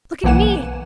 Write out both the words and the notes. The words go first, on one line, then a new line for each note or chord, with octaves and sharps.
"Look at me!"
B1 E3 A#3 F#5 G#5 E7